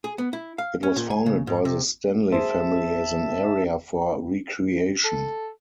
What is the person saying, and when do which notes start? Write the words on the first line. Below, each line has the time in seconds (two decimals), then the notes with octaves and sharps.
It was founded by the Stanley family as an area for recreation.
0.04 G#4
0.18 B3
0.33 E4
0.58 F5
0.83 C#4
0.96 A#2
1.10 G#5
1.26 C#3
1.47 G#2
1.65 C3
2.32 G#4 C5 E5 A5
5.04 A4